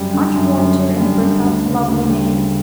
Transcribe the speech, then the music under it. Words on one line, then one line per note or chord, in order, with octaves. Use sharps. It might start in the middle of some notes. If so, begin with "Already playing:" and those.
Aren't Walter and Bertha lovely names?
Already playing: F#2 G3
D3
F#2
F#2
D3
G3
D3
D2
C#3
D2
G3
C#3